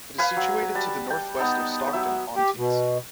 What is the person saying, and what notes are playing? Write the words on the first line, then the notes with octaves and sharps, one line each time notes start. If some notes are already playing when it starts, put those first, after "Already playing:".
It is situated to the north-west of Stockton-on-Tees.
B4 F5 G#5 B5
F#3
G3 A5
G5
B3 D#4 A5
F#3 E5
G4
B2